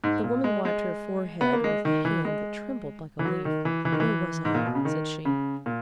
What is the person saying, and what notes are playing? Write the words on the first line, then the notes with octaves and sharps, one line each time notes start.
The woman wiped her forehead with a hand that trembled like a leaf. "Where was I?" said she.
G#2
A#2
G#3
G#3
B3
A#3
G#3
D#3
E3
G#3
E3
F#3
D#3
E3
E3
D#3
E3
G#2
A#2
B2
C#3
D#3
C#3
A#2